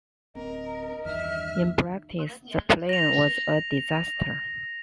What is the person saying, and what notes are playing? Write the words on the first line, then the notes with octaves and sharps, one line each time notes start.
In practice, the plan was a disaster.
D1 C4 A#4 D#5
E2 G2 D#3 E5 F6
A#6 F7